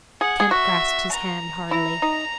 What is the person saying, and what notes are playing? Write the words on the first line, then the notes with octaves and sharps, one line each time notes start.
Kemp grasped his hand heartily.
G#4 F#5
G#4
F#4 E5
A#5
E4 A#5
D#4